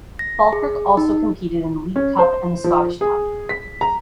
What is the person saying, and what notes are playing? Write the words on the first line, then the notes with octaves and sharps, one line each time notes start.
Falkirk also competed in the League Cup and the Scottish Cup.
A#6
G#4
D#4
C#4
C5
F3
G#4
B6
A#5